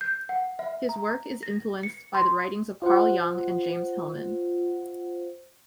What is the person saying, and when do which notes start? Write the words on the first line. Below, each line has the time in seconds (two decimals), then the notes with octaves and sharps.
His work is influenced by the writings of Carl Jung and James Hillman.
0.01 G6
0.29 F#5
0.59 E5
0.89 A#5
1.43 A#6
1.83 C#7
2.15 C6
2.82 F4 C5 F5 F#5